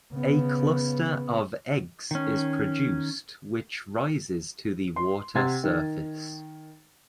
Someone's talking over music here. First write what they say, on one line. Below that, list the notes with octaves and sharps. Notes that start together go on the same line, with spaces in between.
A cluster of eggs is produced which rises to the water surface.
C#3 B3
D#3 C#4
C6
C3 F#5 C6 G#6 A6
D#3